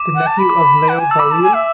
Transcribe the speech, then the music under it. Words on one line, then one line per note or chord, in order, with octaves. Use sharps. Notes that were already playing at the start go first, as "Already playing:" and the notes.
The nephew of Leo Barrile.
Already playing: D6
F#5
A5
B5
D6
F#5
G#5
A5 E6
B5 D6
A5
G#5
E5